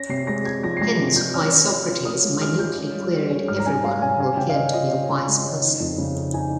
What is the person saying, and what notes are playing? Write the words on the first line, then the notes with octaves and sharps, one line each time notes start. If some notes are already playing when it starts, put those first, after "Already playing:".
Hence why Socrates minutely queried everyone who appeared to be a wise person.
Already playing: C#4 A#6
C3 C7
G#3 A#6
G#3 G#6
F3 A#6
C7
G#3 A#6
C3
F3 G6
C#4 F6
C#4
F4
F4
C#4 D#6
G#3
G#3 F6
F4 G6
C#4
G3
G3
C#4
G#2 F6
A#5
C#4 G#5
G#2 F5
C#4 G#5
C#4 G#5
C#3 G5
F5
C#4 D#5
F4 D#5
C#4
C#3
G#3
C#4
D#4
F2
C#3
D#4
D#4 G#5